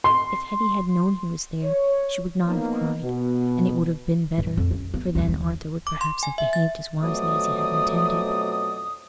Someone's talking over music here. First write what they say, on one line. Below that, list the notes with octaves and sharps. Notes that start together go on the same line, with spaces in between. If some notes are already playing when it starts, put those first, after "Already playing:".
If Hetty had known he was there, she would not have cried; and it would have been better, for then Arthur would perhaps have behaved as wisely as he had intended.
C6
C#5
F3 A#3 B3 D#4
B2
G2
F2
C#4
B3
C2 F2
D#2
D6
C6
G#5
E5
A6
F2 B2 F#3 A3 D5 D#6